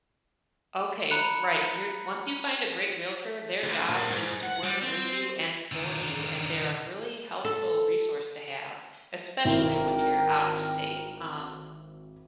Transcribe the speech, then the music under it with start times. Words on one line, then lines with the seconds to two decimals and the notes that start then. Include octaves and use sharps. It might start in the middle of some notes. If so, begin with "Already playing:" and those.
Okay, right, you're once you find a great realtor, their job is to work with you, and for you, and they're a really helpful resource to have, especially when you're out of state, um,
1.10 A#5 B5 F#6 C#7 F7
3.63 D2
3.89 A#2
4.11 G#2
4.43 F#5
4.63 G3
4.82 C4
5.72 D3 D#3
7.45 A4
9.45 G#1 E4 A#4 G5